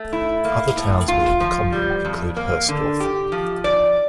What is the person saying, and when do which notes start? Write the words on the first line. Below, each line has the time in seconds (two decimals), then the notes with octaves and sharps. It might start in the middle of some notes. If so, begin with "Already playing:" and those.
Other towns within the commune include Hoesdorf.
Already playing: A3
0.13 E4
0.45 A#3
0.77 A2
1.08 F4
1.40 F3
1.73 G3
2.05 F2
2.37 A#3
2.68 D3
3.00 G4
3.32 F3
3.64 D5